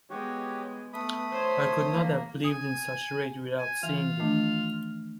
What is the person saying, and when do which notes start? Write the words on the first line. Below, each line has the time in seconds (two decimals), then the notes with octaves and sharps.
I could not have believed in such rage without seeing it.
0.10 G#3 B3 F#4 G4 C#5
0.93 A3 B3 B5 D#6
1.32 C5 C#5
1.93 A#3
2.44 G#5 D#6
3.58 G#5
3.83 E3 F4 F6
4.20 D#3 A3 D4